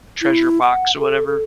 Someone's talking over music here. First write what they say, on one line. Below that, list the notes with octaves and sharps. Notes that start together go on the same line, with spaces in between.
treasure box or whatever.
E4
F#5
A4
A4